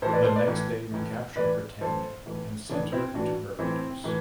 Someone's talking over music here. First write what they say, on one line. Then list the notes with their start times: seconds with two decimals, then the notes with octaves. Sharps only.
The next day recaptured "Britannia" and sent her into Barbados.
0.02 A2 A4 C5
0.06 E3
0.13 B4 D5
0.24 A4 C5
0.36 B4 D5
0.47 A2 E3
0.92 A2 E3
1.35 A2 E3 B4 D5
1.81 A2 E3 A4 C5
2.26 A2 E3
2.69 A2 E3 B3 D4
2.92 C4 E4
3.14 A2 E3 D4 F#4
3.59 A2 E3 C4 E4
4.04 A2 E3